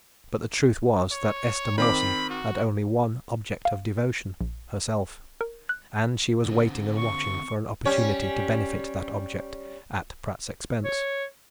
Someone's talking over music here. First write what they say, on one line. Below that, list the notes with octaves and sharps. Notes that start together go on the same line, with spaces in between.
But the truth was that Esther Mawson had only one object of devotion--herself--and she was waiting and watching for an opportunity to benefit that object--at Pratt's expense.
C#5
D#3 C4 B5 D6
F#4
F5
A#1
A#4
F#6
D3 C4
C#6
G3 C#4 C#5
C#5